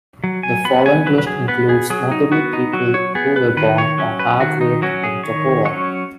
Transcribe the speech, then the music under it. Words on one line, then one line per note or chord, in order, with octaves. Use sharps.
The following list includes notable people who were born or have lived in Toccoa.
F#3
G#5
B3 B5
G#5
F#3 B4
B4
G#4
B3 B4
G#4
F#3 G#4
D#4
B3 F#4
D#4
F#3 F#4
C#5
B3 G#4
B4
D#3 B4
C#5
F#3 C#4
B4
D#3 F#4
D#4
F#3 C#4 F#4
G#4
D#3 C#5
F#3 C#4 C#5